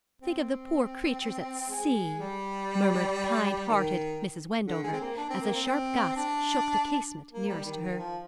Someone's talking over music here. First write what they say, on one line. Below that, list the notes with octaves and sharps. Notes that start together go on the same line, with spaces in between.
'Think of the poor creatures at sea!' murmured kind-hearted Mrs. Wendover, as a sharp gust shook the casement nearest to her.
C4
G#3
G3
D#3
D3
G#3
C4
A#3
D4
C4
A#3
C4
C4
D4
A#3
G3
D#3
D#3
F3